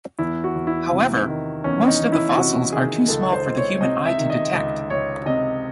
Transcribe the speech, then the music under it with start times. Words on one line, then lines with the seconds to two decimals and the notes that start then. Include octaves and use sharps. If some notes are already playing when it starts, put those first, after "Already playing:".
However, most of the fossils are too small for the human eye to detect.
0.19 E2 E4
0.44 F#4
0.55 E2
0.67 E4
0.91 C3
1.28 D#3
1.64 E2 C#4
1.88 D#4
2.00 E2
2.12 E4
2.37 C3 F#4
2.72 D#3 G#4
3.08 C#2 A4
3.32 C5
3.45 C#2
3.57 C#5
3.81 C3 D#5
4.06 E5
4.18 D#3
4.30 D#5
4.53 C#2
4.90 C#2 C#5
5.26 C3 D#5